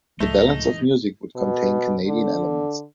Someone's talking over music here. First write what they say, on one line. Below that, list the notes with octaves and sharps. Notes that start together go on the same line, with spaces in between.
The balance of music would contain Canadian elements.
C#2 A2 F3 G#3 A3 D#4
G2 E3
B2
D3